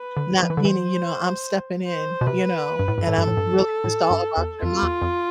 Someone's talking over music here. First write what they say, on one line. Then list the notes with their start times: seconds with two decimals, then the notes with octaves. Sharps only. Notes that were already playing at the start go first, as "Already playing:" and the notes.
not meaning, you know, "I'm stepping in, you know, and I'm really just all about your momma."
Already playing: B4
0.17 D3
0.43 F3
0.50 E3
0.57 D3
0.65 E3 C5
1.88 C5
2.21 B2
2.27 C3 B4
2.79 G2
2.88 A2
2.98 G2
3.05 A2 A4
3.18 G2
3.28 A2
3.37 G2
3.84 A2
4.10 G2
4.37 E2
4.63 F2 F4
4.82 E2
5.02 F2